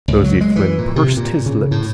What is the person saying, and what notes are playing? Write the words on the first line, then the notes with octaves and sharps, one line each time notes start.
Nosey Flynn pursed his lips.
C#2
F#3
G#3
E3
A#2
C3
A#2
C#3
A2